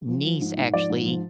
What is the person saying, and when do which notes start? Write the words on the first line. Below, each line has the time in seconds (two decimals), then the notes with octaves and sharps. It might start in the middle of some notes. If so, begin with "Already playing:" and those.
niece actually,
0.09 F3
0.25 F3
0.41 G#2
0.58 G#2
0.74 F3 D5
0.90 G#2
1.06 F3